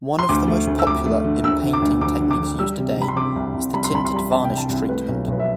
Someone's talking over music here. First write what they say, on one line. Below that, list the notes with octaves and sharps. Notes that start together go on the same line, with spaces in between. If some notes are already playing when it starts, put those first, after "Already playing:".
One of the most popular inpainting techniques used today is the Tinted Varnish Treatment.
C6
D2 D6
A3
D2
E6
D2 D6
A3
D3
D2 E6
D3
D6
D2
D2 D6
D3
D6
D3
G3 E6
C3
C3 B5
C6
C3 D6
C2
C2
G3 B5
C6
C2 B5
C6
G3 B5
C3 A5
G5
C2
A5
C2
A3 B4
B1
B1 B4
E5